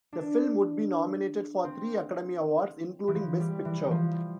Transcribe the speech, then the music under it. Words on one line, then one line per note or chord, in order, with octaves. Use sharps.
The film would be nominated for three Academy Awards, including Best Picture.
D4
C4
E3
F3
G3
E3
F3